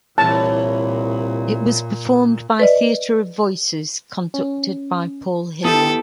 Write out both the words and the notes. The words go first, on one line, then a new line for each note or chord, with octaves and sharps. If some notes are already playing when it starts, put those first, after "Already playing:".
It was performed by Theatre of Voices, conducted by Paul Hillier.
C2 A#2 E3 C#5 A5
B4 D5 D#5
C#4
B3 E4 G4 A4 G5 A5 D#6